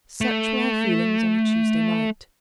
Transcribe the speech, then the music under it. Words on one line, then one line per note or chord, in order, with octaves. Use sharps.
Such were her feelings on the Tuesday night.
A3